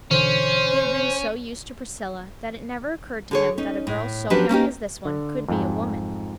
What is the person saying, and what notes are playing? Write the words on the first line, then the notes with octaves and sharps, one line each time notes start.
He had been so used to Priscilla, that it never occurred to him that a girl so young as this one could be a woman.
B2 D3 E3 C#4 C5
D3 G#4 C#5
C#4 D#4
A2
F3 F#3 C#4 D4 G4 B4
A#3 C#4 D#4 G4
D3
F2 G#2